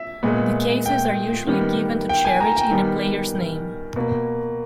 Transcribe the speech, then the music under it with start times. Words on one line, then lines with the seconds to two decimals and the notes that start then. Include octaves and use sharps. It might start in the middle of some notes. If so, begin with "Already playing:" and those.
The cases are usually given to charity in the player's name.
Already playing: E5
0.23 A#2 G#3 B3
0.86 G5
1.47 D#3 G3 B3
2.09 G5
2.25 G#5
2.40 A#5
2.57 G5
2.71 D#3 G3 B3
3.96 B2 A#3